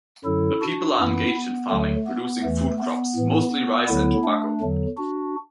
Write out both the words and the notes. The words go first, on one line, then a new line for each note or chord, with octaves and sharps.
The people are engaged in farming, producing food crops, mostly rice and tobacco.
F#2 D3 F#3 E4 A4
D4 F#4
F#2 E3 B3 E4
B3
D2 D3 F#3 A3
B3
E2 E3 A3
B3
A2 E3
D2 D3 F#3 B3 E4
A3 D4
E2 D3 F#3
D4 F#4